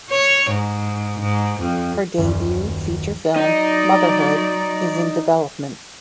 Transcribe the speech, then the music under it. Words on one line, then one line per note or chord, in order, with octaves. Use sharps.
Her debut feature film "Motherhood" is in development.
C#5
G#2
G#2
F2
D#1 F#2 D#3
F#3 D#4 D5